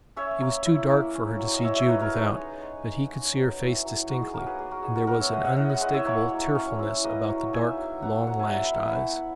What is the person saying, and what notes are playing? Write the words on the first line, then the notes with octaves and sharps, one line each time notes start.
It was too dark for her to see Jude without, but he could see her face distinctly, and there was an unmistakable tearfulness about the dark, long-lashed eyes.
C#4 C#5 E5
A#3
E4
A#3
C#4
F#3
D#5
E4 C#5 E5
C#5 E5
F#3 B4 D#5
A#4 C#5
D#4 G#4 B4
G#3
G#3
D#4
C#4
F#3
E4
F#3
D#4 F#4 A#4
G#4
A#3 F#4 A#4
G#4 B4
A#3 G#4
F#4 A#4
D#4 G#4
F#4 A#4
B3 F#4 A#4
C#5 E5
G#3 D#5 F#5
D#5 F#5
E4 D#5 F#5
D#5 F#5
G#3 D#5 F#5
C#5 E5
A#3 C#5 E5
F#3
C#4
E4
A#3 B4 D#5
F#3
D#4 E5 G#5
F#3
B3 F#5 A#5
F#3 F#5 A#5
E5 G#5
E4 F#5 A#5
G#5 B5
F#3 F#5 A#5
G#5 B5
B3